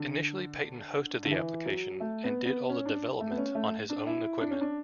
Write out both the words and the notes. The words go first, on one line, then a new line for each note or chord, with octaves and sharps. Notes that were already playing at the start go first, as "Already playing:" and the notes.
Initially Peyton hosted the application and did all the development on his own equipment.
Already playing: D3
D3
E3
F#3
A3
B3
B3
C#4
D4
A3
B3
C#4
A3
D4
E4
D4
C#4
D4